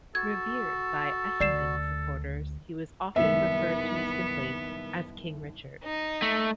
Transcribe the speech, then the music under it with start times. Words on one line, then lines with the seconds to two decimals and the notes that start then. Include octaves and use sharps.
Revered by Essendon supporters, he was often referred to simply as "King Richard".
0.15 F#4 A4 G#6
1.40 D2 D5 C7 E7
3.16 F#1 C2 D#3 B3 E5
5.83 D#4 D#5
6.22 A3